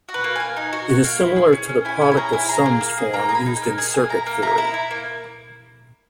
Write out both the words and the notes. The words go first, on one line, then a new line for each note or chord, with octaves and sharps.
It is similar to the product of sums form used in circuit theory.
F#4
B4
A#3
A#3 G#5
D#4
F#4
F#4
A#3
E4
G#4
C#4
C#4
E4 G#5
C#4 B5
G#5
G#4 A#5
E4 G#5
G#4 A#5
A#3
A#3
G#4
A#3 A#5
G#4 A#5
B5
D#4
G#5
A#3
G#4 G#5
A#3 G#5
E4 A#5
A#3
E4 A#5
E4
E4
A#3